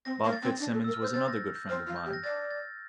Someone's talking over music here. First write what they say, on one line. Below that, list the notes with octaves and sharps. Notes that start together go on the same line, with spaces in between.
Bob Fitzsimmons was another good friend of mine.
C4 A#6
A#3
A6
C4
D4
A4
A#4 E6
F6
C5
G6
C5 A6
A#6
G6
C5 F6
F4
G6
G4
A#6
D5 A6
A6